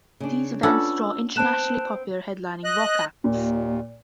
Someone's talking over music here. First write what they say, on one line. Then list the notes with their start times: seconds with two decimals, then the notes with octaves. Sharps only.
These events draw internationally popular headlining rock acts.
0.20 C#3 D4
0.63 C#4 D4 F4 A4 B4 F#5 E6
1.36 B3 C4 A5 F#6 E7
2.65 D#5 F#6
3.24 D#2 A#2